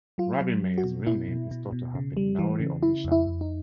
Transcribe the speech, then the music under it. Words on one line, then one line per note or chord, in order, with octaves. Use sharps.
Rabbi Meir's real name is thought to have been Nahori or Misha.
F#3 F4
F#3
F#3
F#4
B2
B2 E4
B2
B2
B2
C#3
G3
E3
C#3
C#3 E4
F2
E4
F2
D#4